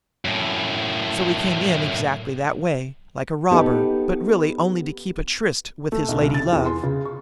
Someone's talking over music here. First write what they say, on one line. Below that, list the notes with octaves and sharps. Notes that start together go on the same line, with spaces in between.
So he came in exactly that way, like a robber, but really only to keep a tryst with his lady love?
F#2 A2
B3 D#4 G4 A4
A3
B1
C2
A6
E2
C6
C#3
C#6